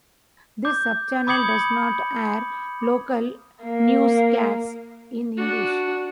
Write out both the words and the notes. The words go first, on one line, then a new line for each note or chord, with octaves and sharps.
This subchannel does not air local newscasts in english.
D6 G6
B5 D6 D#6 G#6 C#7 F#7
A#3
D4 F#4